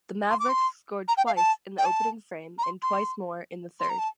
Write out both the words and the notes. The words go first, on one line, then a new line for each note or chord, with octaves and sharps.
The Mavericks scored twice in the opening frame and twice more in the third.
C6
D6
C6
A#5
G5
F5
A5
G5
A5
A#5
C6
C6
C6
A#5
A5